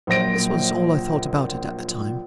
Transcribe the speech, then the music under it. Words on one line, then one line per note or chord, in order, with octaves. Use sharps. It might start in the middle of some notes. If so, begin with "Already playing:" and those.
This was all I thought about it, at the time.
A#1 A#2 F#3 C5 A#6 D7